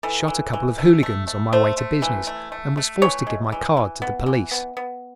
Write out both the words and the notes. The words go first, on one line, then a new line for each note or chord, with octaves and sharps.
Shot a couple of hooligans on my way to business and was forced to give my card to the police.
E3 A4
E3
E3
A3
A3
A3
A3 C5
A3
E3
A3
A3
A3
E3 C#5
G#3
E3
E3
B3
E3
B3
B3